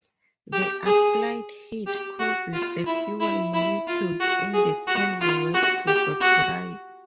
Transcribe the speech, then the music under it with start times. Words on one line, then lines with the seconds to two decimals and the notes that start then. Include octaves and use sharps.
The applied heat causes the fuel molecules in the candle wax to vaporize.
0.52 G4
0.85 G#4
1.86 G4
2.19 F#4
2.53 F4
2.86 E4
3.20 E4
3.53 E4
3.87 F4
4.20 F#4
4.53 G#4
4.87 F#4
5.20 F4
5.54 F#4
5.87 G4
6.20 F#4